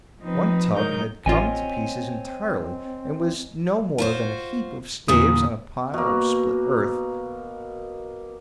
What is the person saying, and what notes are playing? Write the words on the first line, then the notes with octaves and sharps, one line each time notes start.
One tub had come to pieces entirely and was no more than a heap of staves on a pile of spilt earth.
F3 C4 D#4 B4
G#2 F#3 D#4 A#4 G6
A1 C4 F4 C#5 D#5 G#5
F4 F#4 C5
E2 A#2 D3 D#6
B2 A#3